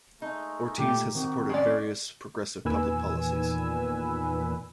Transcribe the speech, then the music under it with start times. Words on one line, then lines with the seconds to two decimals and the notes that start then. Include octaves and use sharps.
Ortiz has supported various progressive public policies.
0.22 G#3 A3 D#4
0.78 A#2 A3 G4
1.15 D#3 C4 D#4 F#4 G4
1.49 G#3 C#4 D5
2.65 E2 A#2 D#3 B4 G#5 E6